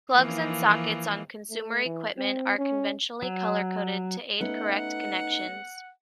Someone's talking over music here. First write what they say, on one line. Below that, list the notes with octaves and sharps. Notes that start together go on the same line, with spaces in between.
Plugs and sockets on consumer equipment are conventionally color-coded to aid correct connections.
E3 F3 A#3
A3
E3
C4
C#4
F#3
A3 B3 C#4 D#4 F#5